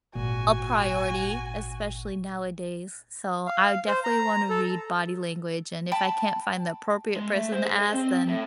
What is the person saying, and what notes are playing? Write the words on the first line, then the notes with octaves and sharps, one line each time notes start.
a priority, especially nowadays. So, I definitely wanna read body language, and if I can't find the appropriate person to ask, then
G#1 A#2 F#4 G#5
F5
C5
A#5
A4
G5 A5 B5
G#3
A3
C5
G#4
D#5
C4
A2